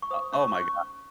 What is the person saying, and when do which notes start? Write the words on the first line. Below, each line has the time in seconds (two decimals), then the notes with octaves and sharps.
O oh my God.
0.02 C#6
0.11 C5 D#6
0.33 C#4 C#6
0.55 C#4 C#6